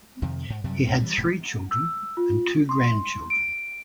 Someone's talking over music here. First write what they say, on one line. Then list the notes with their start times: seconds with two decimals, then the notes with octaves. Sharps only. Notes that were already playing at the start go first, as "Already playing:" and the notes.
He had three children and two grandchildren.
0.22 F2 C3 D#3
0.50 G#2
0.64 F#2 C3 F#3 G3
0.86 C#2 G#2 G#3 A3
1.00 E3 G3
1.18 E1 A2 C3
1.71 E6
2.17 F4
2.69 C6
3.30 D7